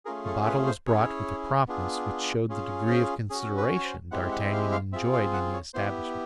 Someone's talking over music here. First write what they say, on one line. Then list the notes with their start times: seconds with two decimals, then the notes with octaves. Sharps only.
The bottle was brought with a promptness which showed the degree of consideration D'Artagnan enjoyed in the establishment.
0.05 A3 C#4 F4 G#4 A#4
0.26 A4
0.47 B4
0.67 C5
0.87 C#4 E4 G#4 C#5
1.68 B3 D4 F4 G#4
2.49 C#4 F4 G#4
2.83 C#5
2.90 C5
3.30 C#4 F#4 G#4
3.57 B4
3.75 C#5
3.85 C5
4.11 G#3 C4 E4 G4 F#5
4.32 F#5
4.44 E5
4.53 F5
4.72 F5
4.93 C4 F4 G#4 E5
5.13 F5
5.34 F#5
5.53 C#5
5.74 B3 E4 G4 C5